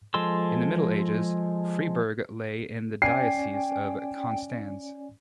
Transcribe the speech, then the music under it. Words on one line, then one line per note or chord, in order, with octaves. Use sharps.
In the Middle Ages, Freiburg lay in the Diocese of Konstanz.
F3 G#3 A4 C6 E6
C#4 D5 G5 G#5 C7